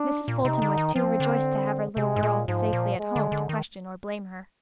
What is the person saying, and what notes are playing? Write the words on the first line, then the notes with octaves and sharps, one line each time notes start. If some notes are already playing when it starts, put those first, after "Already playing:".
Mrs. Fulton was too rejoiced to have her little girl safely at home to question or blame her.
Already playing: D4
A#2
C3 D#4
D3
D#3
F3 C4
D3
C3 G#3
G#2
A#2
G#2 F3
A#2
G#3
D3
D3
D#3